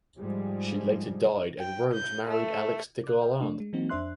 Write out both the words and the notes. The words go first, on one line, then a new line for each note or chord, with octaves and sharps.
She later died and Rogues married Alix de Garland.
G#2 F3 G3 G#3
G5
G6
A3
D6 F#6
D#5 F5 G5
A3 D4
G#3
E3 F#3 A#3 C4 D#4 F#4
F2 D4 C5 E5 C6 F#6